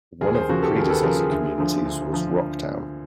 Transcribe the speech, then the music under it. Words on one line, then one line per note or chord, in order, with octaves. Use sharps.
One of the predecessor communities was "Rocktown".
D#2 G#4 A#4
A#4 C5
C#3 F3 F#4 G#4
G4 A4
D#2 G#4 A#4
A4 B4
C#3 F3 G#4 A#4
G#4 A#4
D2
D3 F3
D2
D3 F3